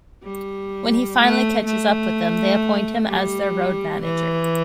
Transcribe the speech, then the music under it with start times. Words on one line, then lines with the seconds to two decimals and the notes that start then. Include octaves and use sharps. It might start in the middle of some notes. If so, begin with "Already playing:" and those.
When he finally catches up with them, they appoint him as their road manager.
0.24 G3
1.19 A3
1.66 A3
3.07 G3
4.02 E3